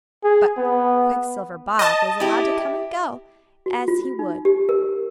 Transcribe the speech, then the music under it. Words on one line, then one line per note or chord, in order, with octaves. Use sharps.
But "Quicksilver Bob" was allowed to come and go as he would.
G#4
B3
D#5 A5
E4 G4
F#4
F4
D#4
G4
A#4